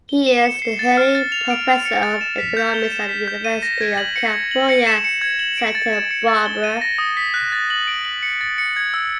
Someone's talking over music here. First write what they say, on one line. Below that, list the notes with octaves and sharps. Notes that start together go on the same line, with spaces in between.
He is the Henley Professor of Economics at the University of California, Santa Barbara.
G7
E7
C#7
C7
A6
F6
A6
F7
D7
F7
C#7
A6
E7
B6
G6
G7
E7
B6
G6
D#7
A#6
G#6
F#7
C#7
G#6
F#7
C#7
E7
C#7
G#6
F#7
D7
A6
E7
C#7
A6
G7
D#7
A#6
D#6
B6
F#6
A6
F#7
D7
F#7
C#7
A6
C#7
G#6
E6